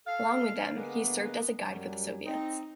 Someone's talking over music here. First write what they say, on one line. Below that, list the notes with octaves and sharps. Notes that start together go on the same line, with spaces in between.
Along with them, he served as a guide for the Soviets.
A4 F5
D3 G#3 A#3 B3
F#2 F#3 G3
C4 D#4